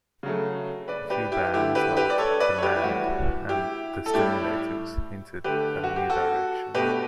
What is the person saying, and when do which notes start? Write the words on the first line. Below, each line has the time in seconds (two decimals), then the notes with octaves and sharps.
A few bands like The Mad and The Stimulators hinted at a new direction.
0.23 C#3 F#3 A3
0.88 B4 D5
1.10 G4 B4
1.32 E4 G4
1.53 D3 A3 E4 G4
1.75 G4 B4
1.97 G4 B4
2.10 D5
2.18 A4 C#5
2.40 B4 D5
2.58 C#5
2.63 G4 B4
2.76 E4
2.83 A2 E3 G3 F#4
3.49 E4 G4
4.06 A4
4.14 A2 G3 E4 G4
5.44 D3 A3 G4 B4
5.84 F#4
5.96 G4
6.10 F#4 A4
6.74 B2 A3 G4 B4